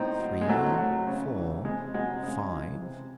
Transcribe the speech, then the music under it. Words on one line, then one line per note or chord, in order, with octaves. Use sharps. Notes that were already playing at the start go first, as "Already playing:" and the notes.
"Three, four, five."
Already playing: A2 C4 D#4
F#3
G#3
A2 F#3 A3
F#3
C#3
E3
C3 G#3
F#3 G#3
C#3 G#3
E3
C3